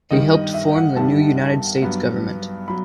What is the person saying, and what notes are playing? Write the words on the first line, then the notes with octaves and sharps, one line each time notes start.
He helped form the new United States government.
G2 D#3 G3 D#5
D#5
E5
F#5
G2 D#3 G3 A5
G2 F#3 B3
F#3 B5